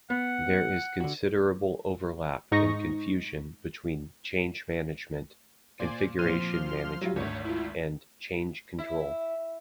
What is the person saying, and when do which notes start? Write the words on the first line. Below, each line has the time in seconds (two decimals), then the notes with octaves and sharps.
There is considerable overlap and confusion between change management, configuration management and change control.
0.10 B3 F#5
1.00 D3 F#4
2.52 G#2 D#4 C#6 A#6
5.79 A#2 C5 D5 G#5
6.19 A#2 F3 C4 C6 F6 D#7
7.01 F#3 G3 F4
7.16 G#1 D2 C#5
7.45 E4 F4
8.79 E4